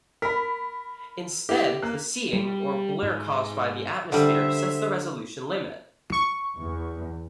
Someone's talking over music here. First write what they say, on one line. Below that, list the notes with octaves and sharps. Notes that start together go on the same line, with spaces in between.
Instead, the seeing, or blur caused by the atmosphere, sets the resolution limit.
A#4 B5 B6
E4 G4
A#3 F#6
G3
G#2
D3 G3 C5 E5
C#6
E2